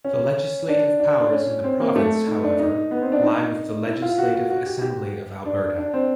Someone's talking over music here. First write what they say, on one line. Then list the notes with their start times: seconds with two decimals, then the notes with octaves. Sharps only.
The legislative powers in the province however, lie with the Legislative Assembly of Alberta.
0.04 C#4
0.68 D4
1.00 D4
1.20 D4
1.32 C#4
1.64 C4
1.80 A#3
1.96 A3
2.28 D#4
2.43 D4
2.59 D#4
2.91 B3
3.02 C4
3.12 D4
3.22 D#4
3.86 E4
4.02 F4
4.18 F#4
4.34 F#4
4.50 F#4
4.66 G4
4.82 G4
5.46 D4
5.78 D4
5.93 C4